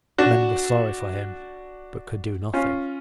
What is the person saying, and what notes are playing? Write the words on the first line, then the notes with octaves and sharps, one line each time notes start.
Men were sorry for him, but could do nothing.
D4 F#4
C#4 F4